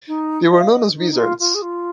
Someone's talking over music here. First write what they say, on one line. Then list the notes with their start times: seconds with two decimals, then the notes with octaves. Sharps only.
They were known as "wizards".
0.07 D#4
0.52 D#5
0.60 F5
0.68 D#5
0.96 D#4
1.11 D#4
1.17 F4
1.39 F4
1.54 G#4
1.62 F4